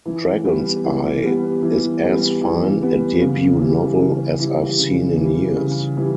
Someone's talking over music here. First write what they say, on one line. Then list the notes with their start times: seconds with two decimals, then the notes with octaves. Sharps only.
Dragon's Eye is as fine a debut novel as I've seen in years.
0.05 E3
0.45 G3 B3
0.84 E3
1.23 G3 B3
1.62 E3
2.02 G3 B3
2.41 E3
2.81 G3 B3
3.21 C#3
3.60 E3 G3
3.99 C#3
4.39 E3 G3
4.78 C#3
5.17 E3 G3
5.57 C#3
5.97 E3 G3